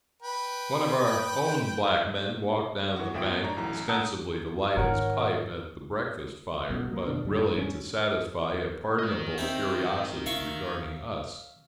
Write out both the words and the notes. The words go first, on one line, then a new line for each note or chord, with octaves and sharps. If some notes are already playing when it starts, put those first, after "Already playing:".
One of our own black men walked down the bank, ostensibly to light his pipe at the breakfast fire, but really to satisfy a pardonable curiosity regarding us.
B4 G5
E3 F#4
G1 F3 E5 G5 C#6 D7
B3
D4 C#5 A#5
A1 A2 E3 F#3 A#5
F#5 A5 A#5 D#6 E6 G6
G#2 D#3 A#4 C#5 F#5
C2 F#2 B2
A#2 F#3 A#3
B2 D3 D4
F#2 A#2 D3 G3
G2 C#4
A#4 D#5
C4 E4 G4
E5 F5 C#6